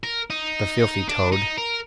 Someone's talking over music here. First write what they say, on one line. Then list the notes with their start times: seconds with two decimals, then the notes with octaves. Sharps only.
The filthy toad... .
0.03 A#4
0.30 D#4
1.09 D4
1.32 D#4
1.58 A#4